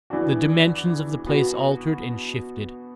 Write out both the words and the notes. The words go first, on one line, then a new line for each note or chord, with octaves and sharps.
The dimensions of the place altered and shifted.
E2 E3 B3 D4 F#4
B2 B3 F#4